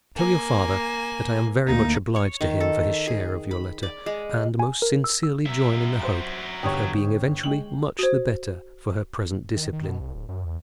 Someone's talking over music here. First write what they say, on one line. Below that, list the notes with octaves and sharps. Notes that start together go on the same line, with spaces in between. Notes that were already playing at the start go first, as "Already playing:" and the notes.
Tell your father that I am very much obliged to him for his share of your letter, and most sincerely join in the hope of her being eventually much the better for her present discipline.
A#3 G#5
D2 A#3 D#4
C#5
D#3
A4
G#4
B5
D5
G#3
G#5
A#4
E6
E6
F#3 E5
C5
G1 G4 C#5 D#6
G#3 G5 F#7
F#4 C5
D#3
D#3
B2
C2
D1
F#2
E2